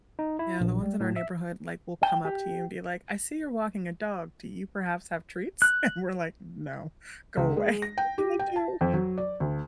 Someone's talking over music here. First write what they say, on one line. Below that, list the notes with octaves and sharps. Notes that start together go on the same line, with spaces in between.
Yeah, the ones in our neighborhood, like, will come up to you and be like, "I see you're walking a dog. Do you perhaps have treats?" And we're like, "No, go away," and they do.
D#4
E4
A#1
G3
A2
E5
G5
G4
F#6
C#2
G#3
A#6
G5
G4
G5
A5
F2
F#3
D5
D2